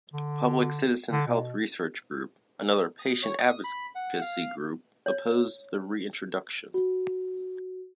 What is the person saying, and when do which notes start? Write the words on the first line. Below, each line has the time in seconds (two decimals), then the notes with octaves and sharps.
Public Citizen Health Research Group, another patient advocacy group, opposed the reintroduction.
0.14 D3
1.12 D3
1.27 B2
3.00 D#6
3.23 C#5
3.39 D#6
3.64 B5
3.95 F#5
4.21 F5
5.06 C#5
6.74 F#4